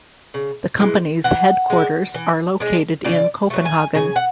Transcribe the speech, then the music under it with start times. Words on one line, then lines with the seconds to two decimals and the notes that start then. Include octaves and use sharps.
The company's headquarters are located in Copenhagen.
0.34 C#3
0.79 E3 G#3
1.24 E3 F#5
1.70 G#3 D4
2.14 E3
2.60 G#3 D4
3.04 C#3 D5
3.50 F#3 A3
3.65 G#5
3.95 C#3 G#5
4.16 F#5